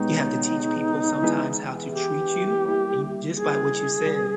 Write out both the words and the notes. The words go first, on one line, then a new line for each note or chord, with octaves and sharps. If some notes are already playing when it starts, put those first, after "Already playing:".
"You have to teach people sometimes how to treat you," and, just by what you said,
Already playing: B2 G#3 B3 D#4 G4 C#5
E3 G#3 B3 E4 G#4
G4
G3 A#3 E4
G#4
C#3 G3 B3